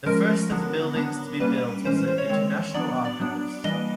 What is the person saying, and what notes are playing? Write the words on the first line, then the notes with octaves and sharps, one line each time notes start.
The first of the buildings to be built was the International Archives.
F3 G#3 C#4 A#4
D3 F#3 B3 D4
F#3 B3 D4
G3 A#3 C#4 B4
E3 G#3 C#4 C5
C5
C#5
D#3 G#3 C4 C#5
F#3 B3 D4 D5
D5
F#3 B3 D4
E3 G3 A#3 D4 D#5